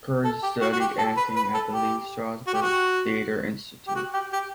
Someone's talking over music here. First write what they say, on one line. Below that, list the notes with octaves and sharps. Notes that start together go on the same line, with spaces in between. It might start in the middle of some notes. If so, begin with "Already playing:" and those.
Curtis studied acting at the Lee Strasberg Theatre Institute.
A4
G4
F#4
F#4
G4
A4
B4
B4
A4
G4
F#4
G4
F#4
G4
F#4
G4
G4